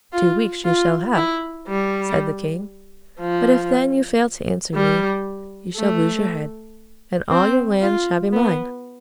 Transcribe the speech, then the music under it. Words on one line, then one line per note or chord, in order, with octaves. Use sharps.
"Two weeks you shall have," said the king; "but if then you fail to answer me, you shall lose your head, and all your lands shall be mine."
F4
F4
E4
G3
F3
G3
A3
C4
F4
B3